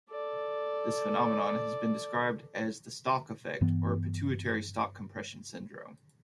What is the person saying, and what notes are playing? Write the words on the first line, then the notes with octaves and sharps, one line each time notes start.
This phenomenon has been described as the stalk effect or pituitary stalk compression syndrome.
A4 D5
G2 E3 B3